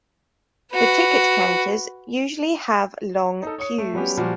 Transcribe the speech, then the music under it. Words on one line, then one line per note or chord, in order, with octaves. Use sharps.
The ticket counters usually have long queues.
F#4 B4
D#4 A4
C#5 D#6 C#7
A3
F#3 G3 B3 C#4 G4
A#2 F3 G3 F#4